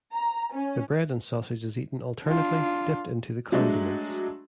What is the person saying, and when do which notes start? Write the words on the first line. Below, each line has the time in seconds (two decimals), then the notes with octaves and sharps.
The bread and sausage is eaten alternately, dipped into the condiments.
0.13 A#5
0.54 C#4
2.24 D4 F4
3.52 F#3 G#3 A3 D4